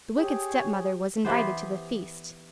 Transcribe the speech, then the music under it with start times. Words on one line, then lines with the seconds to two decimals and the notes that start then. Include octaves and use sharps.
The wicked stepmother was invited to the feast.
0.18 G4 G#4 C#5
1.25 E3 B3 G4 C5